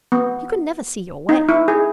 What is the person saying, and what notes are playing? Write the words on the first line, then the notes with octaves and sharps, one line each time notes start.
You can never see your way!'
B3
D#4
E4
G#4